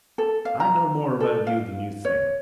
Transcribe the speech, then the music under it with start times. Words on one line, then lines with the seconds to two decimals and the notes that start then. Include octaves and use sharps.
I know more about you than you think.
0.18 A4
0.45 F5
0.60 A#5
1.20 A4
1.47 F5
2.05 C#5